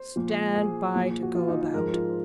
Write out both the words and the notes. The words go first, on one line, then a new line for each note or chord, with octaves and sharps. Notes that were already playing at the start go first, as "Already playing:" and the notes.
Stand by to go about.
Already playing: C5
A#2 F3
G#4
A#2 F3
F#4
F4
D#4
D#4
G#2 F3 A#4
F4